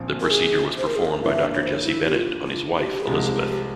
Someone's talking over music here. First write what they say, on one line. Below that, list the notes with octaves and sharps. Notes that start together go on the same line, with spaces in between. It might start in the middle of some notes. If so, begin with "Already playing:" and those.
The procedure was performed by Doctor Jesse Bennett on his wife Elizabeth.
Already playing: A#1 A#2 F3 C4
A#4
G#4
C5
A#4
G#4
A#4
G2 E3 A#3 E5
C#5
C5
C#5
E4
G4
F4
F4
G4
G#4
C2 C3 F3 G#3 G4
G#4
G4